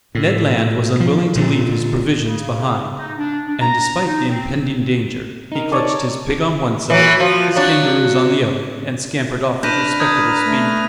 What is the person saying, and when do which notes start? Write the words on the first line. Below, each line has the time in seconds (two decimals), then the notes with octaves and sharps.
Ned Land was unwilling to leave his provisions behind, and despite the impending danger, he clutched his pig on one side, his kangaroos on the other, and scampered off with respectable speed.
0.15 A2
1.00 F3
1.35 A#2 D3
2.25 C#3
2.98 D#4
3.18 D4
3.47 D4
3.61 A#5
4.06 D#4
4.29 C4
5.52 D#4 A#4
5.71 C#5 D5 A5
6.90 E3 F#3
7.20 F3
7.56 F#3 D4
9.63 D4 B4 F6 G6 A#6 D#7
10.00 A#5 D#6 G6 G#6
10.45 A3